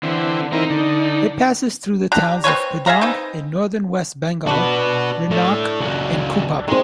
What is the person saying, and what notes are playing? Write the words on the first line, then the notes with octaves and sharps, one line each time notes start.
It passes through the towns of Pedong in northern West Bengal, Rhenok, and Kupup.
D3 E3 C4
E3 C4 D#4 A#4
D3
D4 G4 A#5
C4 C#4 B4 C#5
G#4 E5 F5 A#5
C4 D#4 B4
D4 F#4 B4 D5 B5
A2 A3
C#2 F#3
D#3 G#3 C4